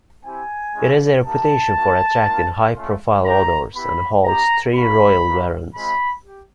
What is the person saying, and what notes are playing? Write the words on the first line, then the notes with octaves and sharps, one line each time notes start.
It has a reputation for attracting high-profile authors and holds three Royal Warrants.
C4 E4 G4 G#5
G#3 C#4 E4 G4
A#3 D#4 G4 A5
A#3 D#4 F#4
A#3 D4 F4
A3 C#4 F4
A3 D4 G4 A#5
B3 E4 G4 B5
B3 D#4 G4 A#5
A#3 D4 F#4 B5
A#3 D#4 F#4
G#3 C4 F4 B5
G4